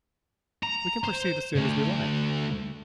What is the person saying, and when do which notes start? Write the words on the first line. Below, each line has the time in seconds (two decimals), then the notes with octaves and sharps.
We can proceed as soon as we like.
0.63 A#5
1.04 C5
1.56 D2